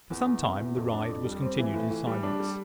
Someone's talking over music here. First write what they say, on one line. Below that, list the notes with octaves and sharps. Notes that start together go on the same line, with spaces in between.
For some time the ride was continued in silence.
E2
E2
C3
E2
F2
D4
F2
G3
C4
E3
A2
E3
G3
D4
G3